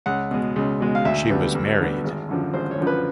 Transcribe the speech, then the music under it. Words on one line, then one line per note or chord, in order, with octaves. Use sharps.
She was married.
C#2 F#5
B2 G#3
C#2
B2 G#3
F5
D2 E5
D3 G3 B3
D2
D3 G3 B3
G#1
F#2 D3 F3
G#1 C5
C#5
F#2 D3 F3
B4